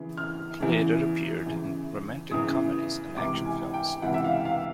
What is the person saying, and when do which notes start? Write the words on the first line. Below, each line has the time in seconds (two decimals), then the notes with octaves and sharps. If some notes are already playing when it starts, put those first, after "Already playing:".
He later appeared in romantic comedies and action films.
Already playing: E2 C#3 E3
0.18 F6
0.60 E2 C#3 E3
1.46 E2 C#3 E3
2.31 E2 C#3 E3 D#6
3.16 C#2 C3 E3 D6
3.45 G#5
3.74 G5
4.02 C#2 C3 E3 F#5
4.14 E5
4.24 F5
4.45 F5